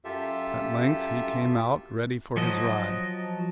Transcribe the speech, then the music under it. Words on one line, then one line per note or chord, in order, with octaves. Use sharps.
At length he came out, ready for his ride.
F#2 F4 G4 A4 E5
F3 F#3 D#5